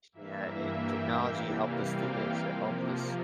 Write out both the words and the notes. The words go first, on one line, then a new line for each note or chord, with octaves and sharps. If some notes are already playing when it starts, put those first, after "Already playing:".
Yeah, and technology helped us do this. It helped us
G2 E3 A#3 E5
G5
F5
C3 E3 G3 A#3
F5
G5
F5
C3 F3 A#3